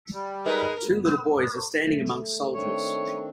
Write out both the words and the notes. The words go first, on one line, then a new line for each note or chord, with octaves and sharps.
Two little boys are standing amongst soldiers.
G3
G#3 D#4 A#4 B4
A3
D#3 C4 D4 C#5